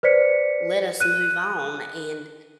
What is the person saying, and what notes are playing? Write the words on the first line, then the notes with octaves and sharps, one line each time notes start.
let us move on, and
B4 C5 D5 B6 C#7
F#6 D#7